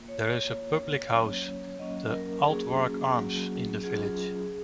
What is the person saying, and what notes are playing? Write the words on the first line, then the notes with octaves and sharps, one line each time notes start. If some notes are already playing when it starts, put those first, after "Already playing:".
There is a public house, the "Aldwark Arms", in the village.
Already playing: A#3 F4
C#5
A#3 F4
F#3 A#3 C#4
F#3 A#3 C#4 D#5
A#4
F#3 A#3 C#4 F#4 G#4
F#3 A#3 C#4 F#4
F#3 C#4 F4 G#4